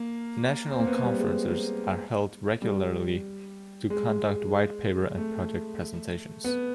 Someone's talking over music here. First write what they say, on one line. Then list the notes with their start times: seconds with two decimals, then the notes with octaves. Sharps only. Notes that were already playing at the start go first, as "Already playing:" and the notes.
National conferences are held regularly to conduct white-paper and project presentations.
Already playing: A#3
0.71 C4
0.80 A#3
0.87 B3
1.03 G3
1.19 G#3
2.62 G3
3.90 G#3
5.18 A3
6.44 B3